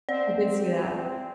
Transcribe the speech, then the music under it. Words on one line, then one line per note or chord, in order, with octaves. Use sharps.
I did see that.
C4 D5